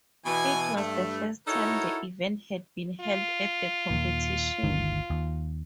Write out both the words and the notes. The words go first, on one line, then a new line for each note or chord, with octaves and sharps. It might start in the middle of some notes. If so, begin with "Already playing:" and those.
It was the first time the event had been held at the competition.
B2 E3 G#5
G2 A3
D#4 E4 F#4 A4 A#4 C#5
F4
D#2 A#2
G1 D2 D#3
D#2